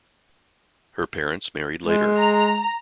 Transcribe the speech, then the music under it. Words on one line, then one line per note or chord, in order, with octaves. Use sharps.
Her parents married later.
G#3
A#5